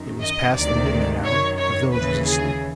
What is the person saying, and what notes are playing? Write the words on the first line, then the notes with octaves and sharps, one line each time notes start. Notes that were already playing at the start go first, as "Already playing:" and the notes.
It was past the midnight hour; the village was asleep.
Already playing: F#2 D#3
D#5
D2 C3 D#3 D5
F#2 D#3 C#5
C#5
D#2 C#3 E3 B4
G#4